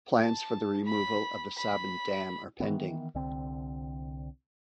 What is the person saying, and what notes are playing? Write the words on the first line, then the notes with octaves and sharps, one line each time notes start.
Plans for the removal of the Sabin Dam are pending.
A5
B5
B5
D#3 E3 B3
C2 D3 C4